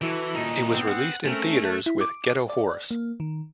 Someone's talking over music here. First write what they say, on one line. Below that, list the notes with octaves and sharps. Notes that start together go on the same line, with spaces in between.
It was released in theaters with Get a Horse!
E3 E4 F#4 A4
A#2 D#4
B3 C4
F#5
A3 C4 C#4 A#4
E4
D6
D5
A#3
D#3